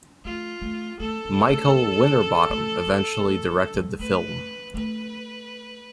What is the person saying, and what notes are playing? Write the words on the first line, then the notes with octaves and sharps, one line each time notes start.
Michael Winterbottom eventually directed the film.
A3 F4
A3
A3 A4
B3
A3
A3
B3
A3
G3
G3
A3 B4
A3 B4